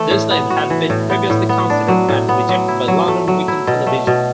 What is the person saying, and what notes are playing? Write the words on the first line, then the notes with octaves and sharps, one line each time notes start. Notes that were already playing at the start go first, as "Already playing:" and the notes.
This name had been previously considered and rejected by London Weekend Television.
Already playing: E3 A3
A2
B3
F#4
E3
A2
B3
A2
B3
D4
F#3
A2
B3
F#3
E4
F#3
A3
F#3
E4
B2
A3
B2